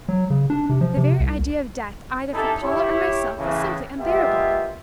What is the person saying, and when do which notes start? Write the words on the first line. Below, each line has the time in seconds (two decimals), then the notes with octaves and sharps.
The very idea of death either for Paula or myself was simply unbearable.
0.09 F#3
0.30 C#3
0.50 D4
0.70 C3
0.81 F3
0.97 C3
1.20 C2
2.33 C#4 D#4 E4 G4 A4
2.62 E4 G4 C#5
3.37 A2 C#3 E3
3.98 G#3 A#3 B3 F4 G4 E5